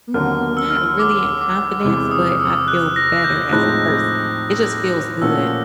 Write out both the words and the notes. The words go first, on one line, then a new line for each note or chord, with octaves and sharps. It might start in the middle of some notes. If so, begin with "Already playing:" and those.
Mm, not really in confidence, but I feel better as a person, it just feels good,
D#2 D3 F#3 A#3 F6
E6
F6
E6
D6
D6
E2 C3 E3 G#3 D6
D#6
E6
F#6
A#6
G6
A2 F3 G#3 C4 D#4 F#6
A#2 F3 A3 C#4 F#4 E6